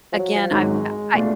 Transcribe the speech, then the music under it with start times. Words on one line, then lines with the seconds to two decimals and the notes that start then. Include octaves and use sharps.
again I've I I
0.12 F3
0.18 F#3
0.35 F3
0.51 G#1 G#2 F#3 G#3
1.14 B2 A3 D4 F4